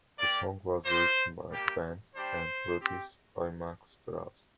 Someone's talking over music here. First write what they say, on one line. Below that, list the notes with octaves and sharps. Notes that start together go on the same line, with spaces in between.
The song was written by the band and produced by Markus Dravs.
A#3 G4 D5
A#3 F4 C5
G3 A#3 G4
G3 D4 G4 C5
C4 G4